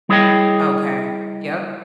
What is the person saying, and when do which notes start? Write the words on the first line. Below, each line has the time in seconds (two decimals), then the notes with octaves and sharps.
Okay, yep.
0.09 G3 E4 G#4 C#5 D#5 G5